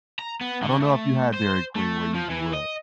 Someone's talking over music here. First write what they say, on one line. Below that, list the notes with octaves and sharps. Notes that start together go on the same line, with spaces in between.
I don't know if you had Dairy Queen where you grew up.
A#5
B3
D3
A3
C5
A3
F3
E3
D#5